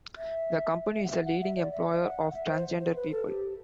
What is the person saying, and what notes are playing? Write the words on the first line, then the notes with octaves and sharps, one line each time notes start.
The company is a leading employer of transgender people.
E5
E5
F#5
E5
F#5
E5
D5
E5
E5
F#5
E5
C5
C5
B4
A4
G4